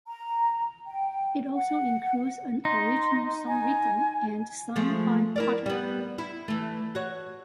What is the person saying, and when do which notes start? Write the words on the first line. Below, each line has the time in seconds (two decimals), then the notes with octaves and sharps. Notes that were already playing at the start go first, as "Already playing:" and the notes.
It also includes an original song written and sung by Potter.
0.08 A#5
0.86 G5
1.55 F#5
2.65 D#4 C6
3.48 G#5
4.76 F3 G#3 A3
5.36 E4 A#4 D5
5.66 G3 B3
6.18 E4
6.48 E3 A3
6.95 F#4 C#5